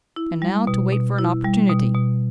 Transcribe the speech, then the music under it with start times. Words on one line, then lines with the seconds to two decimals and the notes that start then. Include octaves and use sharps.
And now to wait for an opportunity!
0.16 E4
0.42 G3
0.67 B2
0.93 B2
1.19 E4
1.44 G3
1.69 B2
1.94 B2